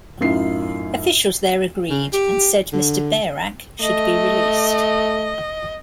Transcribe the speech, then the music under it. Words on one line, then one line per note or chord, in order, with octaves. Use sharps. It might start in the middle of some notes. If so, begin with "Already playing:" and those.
Officials there agreed, and said Mr. Bearak should be released.
F#2 A2 D#4 F4 C7
C#3
G4
D3
A3 D#5